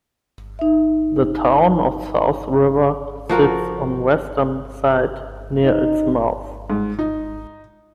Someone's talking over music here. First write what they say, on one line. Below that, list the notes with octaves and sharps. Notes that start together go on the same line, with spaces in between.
The town of South River sits on western side near its mouth.
D#4 E5
F3 F#4 A#4
D#4
G#2
D#4